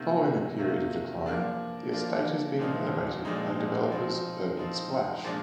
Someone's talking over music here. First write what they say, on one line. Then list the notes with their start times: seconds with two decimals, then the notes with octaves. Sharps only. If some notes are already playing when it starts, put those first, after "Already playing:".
Following a period of decline, the estate is being renovated by developers Urban Splash.
Already playing: C3 D#3 A#3
0.59 C3 D#3 A#3
1.26 F3 A#3 D4
1.92 F3 A#3 D4
2.59 A#2 F3 G#3 C4 D#4
3.25 A#2 F3 G#3 C4 D#4
3.90 F3 C4 D#4
4.57 F3 C4 D#4
5.24 A#2 F3 G#3 D4